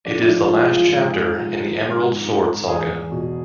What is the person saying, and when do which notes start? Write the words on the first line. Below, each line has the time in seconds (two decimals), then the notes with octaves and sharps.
It is the last chapter in the Emerald Sword Saga.
0.05 F3 D4
0.22 E4
0.28 F3
0.39 F4
0.49 G#2
0.55 G#4
0.72 F3 F4
0.88 F4
0.94 G#2
1.05 G#4
1.15 G#2
1.37 G#2
1.59 G#2
1.81 G#2
2.03 G#2
2.24 G#2
2.45 G#2
2.67 E2 G#4
2.89 E2
3.12 B2